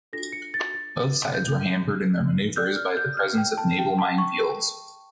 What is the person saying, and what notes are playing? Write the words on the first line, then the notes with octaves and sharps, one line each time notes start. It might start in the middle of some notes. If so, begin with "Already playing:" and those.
Both sides were hampered in their maneuvers by the presence of naval minefields.
D4 F4 A4 A#6
C#7
A6
A6
G6
G4 D5 G6
F6
G6
F6
G5
A5
G5
A5
C#6